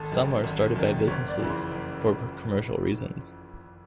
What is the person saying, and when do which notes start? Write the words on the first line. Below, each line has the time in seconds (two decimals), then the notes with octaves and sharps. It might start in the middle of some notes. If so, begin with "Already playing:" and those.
Some are started by businesses, for commercial reasons.
Already playing: G#1 A4
0.12 F#2 D#3
0.44 G#1
0.76 F#2 D#3
1.07 F#1 C#5
1.28 D5
1.39 F2 C#3 E3
1.50 C5
1.71 F#1